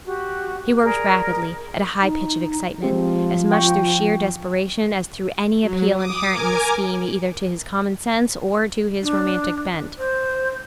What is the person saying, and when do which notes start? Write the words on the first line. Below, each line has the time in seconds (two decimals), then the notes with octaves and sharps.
He worked rapidly, at a high pitch of excitement--as much through sheer desperation as through any appeal inherent in the scheme either to his common-sense or to his romantic bent.
0.05 F#4 G4
0.83 G#4 A#4 D5
2.02 D#4
2.83 F3 G#3 C4 G4
3.52 G5 C#6
5.59 F#3
5.95 D6 D#6
6.28 A#4 G#5 D6 G#6
9.03 D4
9.98 C5